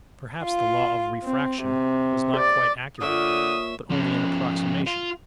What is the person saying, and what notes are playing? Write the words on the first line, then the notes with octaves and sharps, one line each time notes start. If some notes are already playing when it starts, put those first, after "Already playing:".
Perhaps the law of refraction was not quite accurate, but only an approximation.
F4
C4
C3
D5
A#2 D3 C#5 E5 F5 D#6
F3 C#4
F4